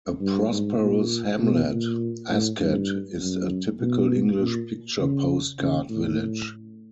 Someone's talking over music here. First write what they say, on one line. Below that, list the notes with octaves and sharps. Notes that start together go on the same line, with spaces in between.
A prosperous hamlet, Askett is a typical English "picture postcard" village.
G2
G#2
A#2
B2
A#2
A2
G2
F#2
B2
A#2
C#3
C#3
A2